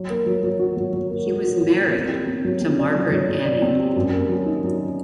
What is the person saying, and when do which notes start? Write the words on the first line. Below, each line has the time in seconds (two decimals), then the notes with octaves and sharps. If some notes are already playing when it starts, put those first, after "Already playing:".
He was married, to Margaret Annie.
Already playing: F#3
0.10 A#3
0.26 F#3
0.43 F#3
0.59 F#4
0.77 F#3
0.93 F#3
1.10 A#3
1.26 F#4
1.44 F#4
1.61 F#3
1.77 A#3
1.95 C4
2.11 G4
2.27 C4
2.45 F#3
2.62 C4
2.79 D5
2.95 F#3
3.11 F#3
3.29 F#3
3.45 D5
3.62 C4
3.79 G4
3.96 F#2
4.13 A#3
4.29 F#3
4.46 D#4
4.63 F#3